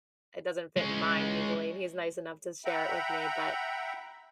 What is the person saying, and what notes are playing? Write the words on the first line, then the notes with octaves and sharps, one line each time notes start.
it doesn't fit in mine, usually, and he's nice enough to share it with me, but
G#3 C#4
E5 F#5 G5 A#5 B5